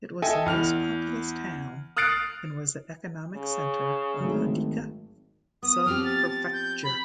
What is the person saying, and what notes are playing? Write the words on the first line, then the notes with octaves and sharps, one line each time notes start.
It was the most populous town and was the economic center of Hidaka Subprefecture.
A4 D#5 E5 G5 G#5
E2 F6 F7
D#6 F6 F#6 A6 C7 D7
C#3
G#1 F#3 A3
B3 D#6
F3 C4 G4 F6
A6
G6
B5